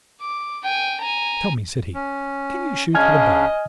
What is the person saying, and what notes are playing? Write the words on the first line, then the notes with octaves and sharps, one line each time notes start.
"Tell me," said he, "can you shoot with a bow?"
D6
G5 G#5
G#5 A#5
C#4
C#3 C#4 D4 D#5 G#5 F6 G#6